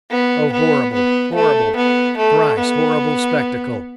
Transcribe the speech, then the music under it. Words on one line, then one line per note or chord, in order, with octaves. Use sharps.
Oh, horrible, horrible, thrice horrible spectacle!
B3
B3
B3
A3
B3
A3
B3